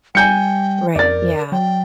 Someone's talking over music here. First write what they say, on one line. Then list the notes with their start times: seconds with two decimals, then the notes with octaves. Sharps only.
Right, yeah.
0.15 G3 G5 G#5 G6 C#7
0.95 F2 A#4 D5 A6
1.52 F#3 G5